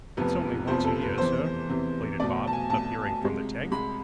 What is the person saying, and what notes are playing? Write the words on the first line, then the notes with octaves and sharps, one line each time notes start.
'It's only once a year, sir,' pleaded Bob, appearing from the tank.
F1 E2 C3 F3 B4
F1 E2 C3 F3 C5
A4
B4
E2 C3 E3 C5
E2 C3 E3
B1 B2 A3 D5
A5
G#5
B1 B2 A3 A5
C2 C3 G#3
C2 C3 G#3 B5